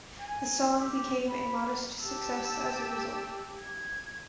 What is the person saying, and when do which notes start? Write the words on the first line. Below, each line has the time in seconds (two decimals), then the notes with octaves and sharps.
The song became a modest success as a result.
0.20 G#5
0.79 G4
1.29 B5
2.03 G4 A5 E6
3.59 G#6